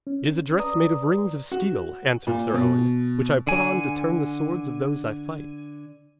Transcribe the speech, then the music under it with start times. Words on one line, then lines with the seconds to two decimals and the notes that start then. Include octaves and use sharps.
'It is a dress made of rings of steel,' answered Sir Owen, 'which I put on to turn the swords of those I fight.'
0.07 C#4
0.59 B4 D5 A#5 D#6
1.52 F#4
2.27 A#2
2.54 B2
3.47 D3 G#5